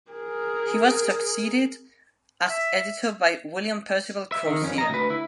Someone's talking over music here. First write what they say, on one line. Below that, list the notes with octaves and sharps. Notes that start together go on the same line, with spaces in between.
He was succeeded as editor by William Percival Crozier.
G#4 A#4
E5
E5
D#3
F2 C#4
D#5 A#5
D2 B4
E4